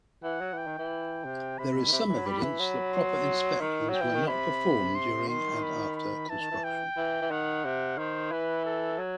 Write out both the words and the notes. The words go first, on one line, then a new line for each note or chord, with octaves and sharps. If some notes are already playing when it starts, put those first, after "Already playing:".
There is some evidence that proper inspections were not performed during and after construction.
E3 F#5
F#3
E3 G5
D#3
E3
C3
C3 B5
B2
D#3
C3
E3
F#3
G3
E3
F#3
C6
D#3
F#3 G5
E3
D#3
C3 B5
C6
D#3 C6
B5
B5
E3 A5
D#3
E3
G5
E3
E3
D#3 F#5
C3
D#3 C5
E3 B4
A4
F#3